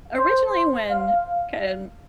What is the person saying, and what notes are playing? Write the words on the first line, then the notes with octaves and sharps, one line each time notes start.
originally when, kind of,
C5
F5